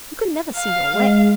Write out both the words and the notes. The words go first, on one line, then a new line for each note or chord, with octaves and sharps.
You can never see your way!'
F5
G#3